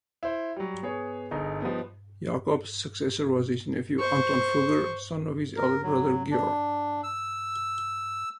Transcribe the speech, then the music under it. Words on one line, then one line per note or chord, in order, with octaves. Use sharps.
Jakob's successor was his nephew Anton Fugger, son of his elder brother Georg.
E4 C5
F#3 G3
B3 G#4 C#5
G1 D#4 G#4 A#5
F3 G3 B3 D#4
C5 C#6
A#4
F#3
D4
E6